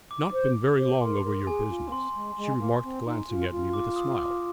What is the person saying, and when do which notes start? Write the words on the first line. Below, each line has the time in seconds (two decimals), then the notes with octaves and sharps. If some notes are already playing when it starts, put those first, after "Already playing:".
"You've not been very long over your business," she remarked, glancing at me with a smile.
0.11 D6
0.33 C5
0.78 C5
1.01 A#4 C6
1.24 A#4
1.47 G#4 G#5
1.69 F4
1.88 A#3
1.92 C4 C6
2.15 G#3
2.37 G#3
2.60 A#3
2.83 C4
3.05 D#4
3.29 F4
3.51 F4
3.73 D6
3.96 D#6
4.19 D6